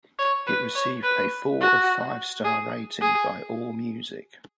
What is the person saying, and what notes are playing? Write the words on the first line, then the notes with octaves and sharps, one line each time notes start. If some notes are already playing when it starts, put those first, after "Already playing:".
It received a four of five star rating by AllMusic.
C#5
B4
C#5
B4
F#4
G#4
G#4